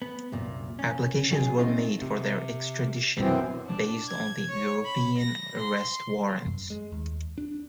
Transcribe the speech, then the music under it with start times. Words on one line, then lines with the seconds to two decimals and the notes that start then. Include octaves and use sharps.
Applications were made for their extradition based on the European Arrest Warrants.
0.02 B3
0.32 C2 F#2 A#2
0.79 C#4
1.31 B1 F#3 F4 G#4 F#5 G#5
1.58 A3 B3 C4 D#4 F4 C5
2.02 C3
3.20 F#2 B2 E3 C4
3.66 D4
4.08 G#6
4.49 C#5
4.85 B5
5.18 A#6
5.58 C6
6.47 F#2
6.70 G#3
6.92 D#2
7.38 D4